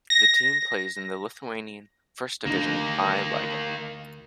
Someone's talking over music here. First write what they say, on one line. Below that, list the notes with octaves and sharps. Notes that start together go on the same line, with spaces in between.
The team plays in the Lithuanian first division I Lyga.
A#6
D2 A#3 C4 D4 D#4